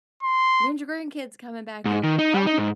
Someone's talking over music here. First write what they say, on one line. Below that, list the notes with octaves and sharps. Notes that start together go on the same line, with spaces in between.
when's your grandkids coming back over? Tell 'em
C6
G#2
D#3
D#4
G3
D#4
G#2